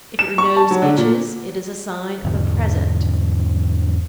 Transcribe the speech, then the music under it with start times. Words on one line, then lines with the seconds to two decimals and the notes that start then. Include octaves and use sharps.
If your nose itches, it is a sign of a present.
0.19 E7
0.38 C#6
0.57 A5
0.71 F#3
0.82 D3
0.98 A#2
2.24 E2 G#2 D3 F3